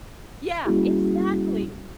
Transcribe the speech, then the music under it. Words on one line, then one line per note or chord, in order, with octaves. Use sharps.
Yeah, exactly,
G3 A#3 C#4 E4 F#4 G#4